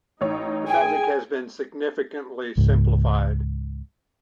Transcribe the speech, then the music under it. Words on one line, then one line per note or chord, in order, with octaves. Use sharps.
The magic has been significantly simplified.
A1 D#4 C#5
G#4 G5 G#5
C#2 G#2